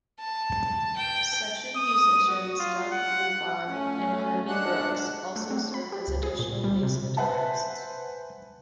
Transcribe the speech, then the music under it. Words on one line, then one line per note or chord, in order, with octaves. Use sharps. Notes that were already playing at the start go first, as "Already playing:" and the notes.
Session musicians Doug Lubahn and Harvey Brooks also served as additional bass guitarists.
A5
G5
D#6
F#4
F4
F#5
A3 C#4
G#3 D4 F#5 F#6
A3
C4
B5
G4
C#2
G#4
A#2
G3
C3
B4 C5 E5 F#5 G#5 A5